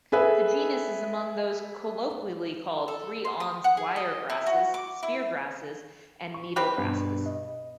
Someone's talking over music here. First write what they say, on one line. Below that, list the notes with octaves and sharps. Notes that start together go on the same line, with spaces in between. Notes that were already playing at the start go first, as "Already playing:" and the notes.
This genus is among those colloquially called three-awns wiregrasses, speargrasses and needlegrasses.
G#4 A4 B4 E5 G#5
A4
C6
D#6
F#5
G#4
D#5
E4
F#4
D6
E4
C#6
C4 G4 B4
G2 B2
D#5